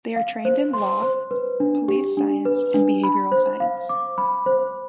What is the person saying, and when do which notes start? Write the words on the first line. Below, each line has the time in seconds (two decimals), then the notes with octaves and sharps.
They are trained in law, police science, and behavioral science.
0.16 F5
0.45 C5
0.73 C6
1.02 C5
1.31 B4
1.60 D4
1.88 G4
2.17 D4
2.45 B4
2.74 D4
3.03 B5
3.32 C5
3.60 F5
3.89 D6
4.18 B5
4.46 C5